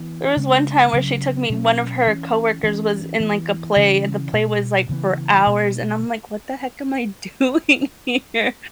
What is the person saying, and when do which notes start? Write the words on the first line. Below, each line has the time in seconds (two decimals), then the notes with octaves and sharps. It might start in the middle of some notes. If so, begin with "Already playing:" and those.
there was one time where she took me one of her coworkers was in, like, a play, and the play was, like, for hours, and I'm like, "What the heck am I doing here,"
Already playing: E3 B3
0.37 C#3 G#3 C#4
0.93 C#3 F#3 C#4
1.50 B2 F#3 C#4
2.07 E3 C#4
2.63 E3 C#4
3.20 E3 B3
3.76 C#3 E3 C#4
4.33 B2 B3
4.89 C#3 E3 B3
5.47 B2 B3